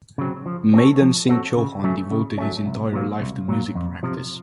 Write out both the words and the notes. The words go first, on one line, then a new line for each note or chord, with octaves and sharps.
Madan Singh Chauhan devoted his entire life to music practice.
C#3 F#3 C4
F3
C4 F#4 A4 C#5
F3
C4 F#4 A4 C#5
C#3
F#3 A3 C#4
C#3
F#3 A3 C#4
C2
A#2 F#3 A#3
C2
A#2 F#3 A#3
F2
C3 F3